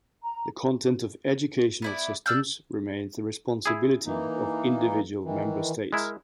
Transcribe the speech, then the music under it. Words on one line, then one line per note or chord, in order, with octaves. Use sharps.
The content of educational systems remains the responsibility of individual Member States.
A#5
B3 E4 D5
D4 E6 F6 G6
E4 G#4
E3 A#3 D#4
D#3 E3
G#3 E4 A#4